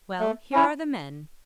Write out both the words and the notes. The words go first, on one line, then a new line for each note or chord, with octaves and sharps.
"Well, here are the men."
A3
C#4 E4